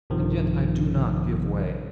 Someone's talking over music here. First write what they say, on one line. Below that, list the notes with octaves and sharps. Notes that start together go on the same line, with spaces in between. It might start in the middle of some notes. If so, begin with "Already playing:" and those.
And yet I do not give way.'
A#1 G2 C3 D#3 F3